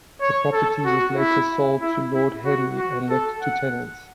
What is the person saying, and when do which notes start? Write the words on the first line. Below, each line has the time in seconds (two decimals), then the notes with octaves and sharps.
The property was later sold to Lord Henley and let to tenants.
0.21 C#5
0.53 A4
0.86 F#4
1.17 E4
1.81 E4
2.14 E4
2.45 F#4
2.77 F#4
3.10 A4
3.42 F#5